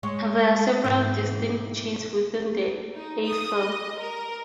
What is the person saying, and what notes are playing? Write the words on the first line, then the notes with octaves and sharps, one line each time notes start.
There are several distinct chains within the Eifel.
G#3 C#5
G#2 B2 E3
D#4
D#6
D#5
A#4